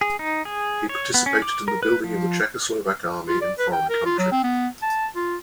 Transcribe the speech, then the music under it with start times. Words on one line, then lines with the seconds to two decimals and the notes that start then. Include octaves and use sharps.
He participated in the building of the Czechoslovak army in foreign countries.
0.01 G#4
0.19 D#4
0.45 G#4
0.89 C#5
1.14 B3
1.26 C#4
1.42 D6
1.68 A#4
1.83 B4
2.04 F3
3.28 F4
3.42 D5
3.59 B4
3.72 G5
3.89 A#4
4.06 F4
4.19 F#3
4.32 C4
4.44 B3
4.82 A5
5.15 F4